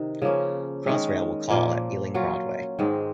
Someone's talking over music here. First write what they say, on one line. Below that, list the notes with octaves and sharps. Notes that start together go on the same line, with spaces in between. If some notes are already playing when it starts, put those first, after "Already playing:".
Crossrail will call at Ealing Broadway.
Already playing: C3 D#3
C#3 F3 A#3 C#4
D#3 G#3 C#4
A#2 F3 A#3 F4
F#3 C#4 F4
G#2 D#3 G#3 C4